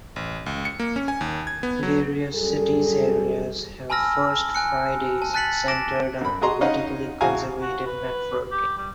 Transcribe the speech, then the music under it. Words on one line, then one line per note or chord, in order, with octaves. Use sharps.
Various cities areas have First Fridays centered on politically conservative networking.
A1
C#2
C#7
A#3
C#4
G#5
D#2
G#6
B3
F#3
F#2 G3 G#4 A4
G#5 A5 B5 E6 F6 A#6
G#5 F#6 C#7
A5
A5 F#6 A6 B6 C#7 F#7
D6 A#6 D7 E7
F#2 B5
F#4 G#4 D#5 A#5 C6
C#4 D#4 C#5 D#5 F5 F#5
A1 F#4 G#4 F5 G#5 A#5
F#4
B4
G4
G3